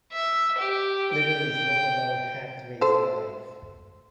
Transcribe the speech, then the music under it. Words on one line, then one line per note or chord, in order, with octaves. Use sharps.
Little is known about Hathwaye's life.
E5
G4
G5
A4 C5